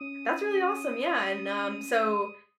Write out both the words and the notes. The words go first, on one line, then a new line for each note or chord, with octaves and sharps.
that's really awesome. Yeah, and, um, so,
C#4 D#6